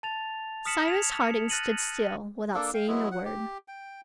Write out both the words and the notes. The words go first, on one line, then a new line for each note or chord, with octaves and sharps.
Cyrus Harding stood still, without saying a word.
A5 A6 F7
D#6 F6 B6 C#7 E7 F#7
G#6 F7
C#7
F6 F#6 A6 A#6 D#7 F#7
A#3 D4 A4
F5 G5
F#3 G#3 B3 E4
F#5
G4
G5